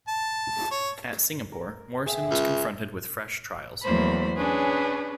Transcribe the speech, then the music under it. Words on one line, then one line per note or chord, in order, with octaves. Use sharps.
At Singapore, Morrison was confronted with fresh trials.
A5
C#5
A#4
G#4 E5 G5
C#2
E2 F#3 A3 A#3 C5 B5
C#4 D4 G#4 B4